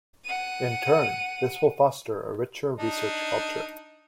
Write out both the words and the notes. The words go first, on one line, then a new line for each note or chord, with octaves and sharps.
In turn, this will foster a richer research culture.
F#5 D#7
D4 D#4